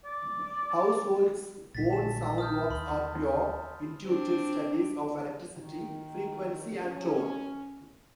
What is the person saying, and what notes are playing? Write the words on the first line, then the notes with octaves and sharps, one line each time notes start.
Hausswolff's own sound works are pure, intuitive studies of electricity, frequency and tone.
D5
A#1 D3 G3 A6 B6
A5 E7
E6
D#6 F6 G6
D#2 B5 C6 D#6
C4 D4
D#3
C#4